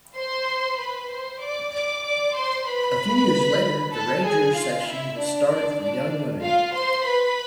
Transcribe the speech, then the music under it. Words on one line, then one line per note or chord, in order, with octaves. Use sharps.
A few years later the Ranger section was started for young women.
C5 C6
B4 B5
C5 C6
D5 D6
D5 D6
D5 D6
C5 C6
B4 B5
A4 A5
G#4 G#5
F4 F5
E4 E5
D4 D5
D4 D5
D4 D5
F4 F5
C5 C6
B4 B5